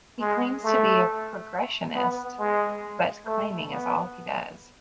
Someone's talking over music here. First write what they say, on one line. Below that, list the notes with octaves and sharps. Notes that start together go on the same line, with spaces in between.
He claims to be a progressionist, but claiming is all he does.
G#3
A3
B3
G#3
A3
B3